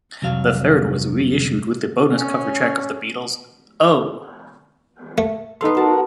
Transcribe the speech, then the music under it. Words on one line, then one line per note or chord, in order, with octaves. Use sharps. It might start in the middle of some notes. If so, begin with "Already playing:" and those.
The third was reissued with the bonus cover track of The Beatles' Oh!
C2 F2 F#3 F5
C#4
A3
B3 D#4 A4 F5 C6
F#4 A#4 A5